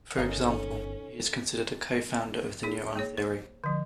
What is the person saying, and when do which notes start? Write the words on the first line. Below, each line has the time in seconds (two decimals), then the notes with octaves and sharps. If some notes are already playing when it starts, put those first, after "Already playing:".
For example, he is considered a co-founder of the neuron theory.
0.17 G1 C3 D#3 C#4 A4 A#4 D#5 F5
2.63 D#4 G#4
2.96 A#3 G#4 C#5
3.17 C5
3.64 D3 F3